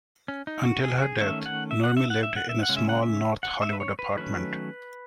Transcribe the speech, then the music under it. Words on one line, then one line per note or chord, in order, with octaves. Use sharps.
Until her death, Nurmi lived in a small North Hollywood apartment.
C#4
D#4
F#4
G#4
F#4
G#4
D#3 A3 C#4 E5
F#5
E5
F#5
E5
F#5
E5
F#5
E5
F#5
C#3 G#3 C#4
E5
F#5
E5
F#5
E5
B4
C#5
B4
D#3 F#3 A3 C#4 B4